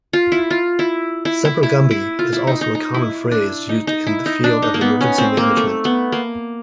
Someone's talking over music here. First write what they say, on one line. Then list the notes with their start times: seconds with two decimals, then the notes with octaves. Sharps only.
"Semper Gumby" is also a common phrase used in the field of emergency management.
0.13 F4
0.32 E4
0.50 F4
0.79 E4
1.25 E4
1.45 E4
1.63 E4
1.91 E4
2.19 F4
2.33 E4
2.47 D#4
2.61 D#4
2.75 D#4
2.94 E4
3.31 D4
3.69 D#4
3.87 D#4
4.07 E4
4.26 D#4
4.44 D4
4.62 D#4
4.74 A#3
4.81 B3
5.01 C#4
5.18 C4
5.37 A#3
5.57 A3
5.85 B3
6.12 A#3